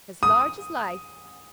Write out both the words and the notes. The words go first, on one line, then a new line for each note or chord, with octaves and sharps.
"As large as life."
D#6